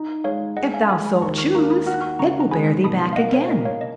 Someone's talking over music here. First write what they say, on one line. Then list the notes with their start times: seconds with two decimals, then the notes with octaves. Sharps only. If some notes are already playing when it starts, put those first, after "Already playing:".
If thou so choose, it will bear thee back again.
Already playing: D#4
0.24 G#3 C#5 F5
0.57 G#3 D#5 F#5
0.74 F5 G#5
0.89 G#3 G#5 B5
1.05 G#5 B5
1.22 D#2 A#5 C#6
1.38 C#6 F6
1.55 A#3 A#5 C#6
1.70 B5 D#6
1.86 F#4 F6
1.94 F#6
2.01 C#6 F6
2.19 C#3 A#5 C#6
2.40 A#5
2.51 G#3 G#5 B5
2.84 B2 B5 D#6
3.13 F5
3.16 A#3 D#5 F#5
3.33 C#5 F5
3.49 A#3 D#5
3.65 C#5 F5
3.81 D#5